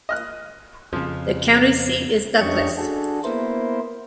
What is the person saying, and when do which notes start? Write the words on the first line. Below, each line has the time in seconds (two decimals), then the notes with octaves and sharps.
The county seat is Douglas.
0.09 D#5 F6 F#6
0.93 F2 C#3 F3
2.41 F2 C#4 D4 G4 D#5 C#6
2.78 D4 F#4 G#4 A4
3.24 A#3 B3 E4 A#4 C5